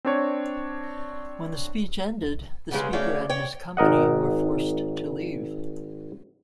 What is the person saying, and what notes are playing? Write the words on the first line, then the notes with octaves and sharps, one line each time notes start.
When the speech ended, the Speaker and his company were forced to leave.
C4 D4 C#5
B1
E2 G2 C#3 G#3
C#3 A3 F#4 C#5 D5 F5
C#5 G5
G#1 A#4 D#5 F#5